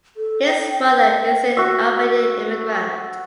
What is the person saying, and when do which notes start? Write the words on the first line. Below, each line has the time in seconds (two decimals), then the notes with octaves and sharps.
His mother is an Albanian immigrant.
0.17 A4
0.47 G5
0.94 G5
1.57 F#4 E5